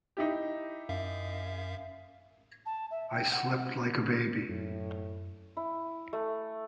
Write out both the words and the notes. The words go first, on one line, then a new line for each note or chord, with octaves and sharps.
I slept like a baby.
D#4 E4 G4
F#2 E5 F5
A5
E5
G5
F#5
F#2 A2
E4
A3